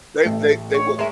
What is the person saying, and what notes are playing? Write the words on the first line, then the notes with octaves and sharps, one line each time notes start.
They they they wouldn't.
A1 A3
C#5
G#3 A#4 E5